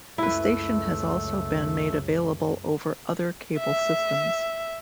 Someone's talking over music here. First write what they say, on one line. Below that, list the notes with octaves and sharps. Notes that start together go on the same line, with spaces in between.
The station has also been made available over other cable systems.
C#2 F#2 A3 E4 B4
E5